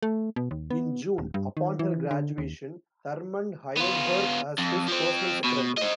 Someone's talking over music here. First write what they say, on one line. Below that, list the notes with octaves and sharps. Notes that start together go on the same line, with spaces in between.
In June, upon her graduation, Thurmond hired her as his personal secretary.
A3
B2
D#2
B3
D#1
G2
D#3
E3
D3
D#2
B3 F4
F2
F3 C4
B2
C5 D#5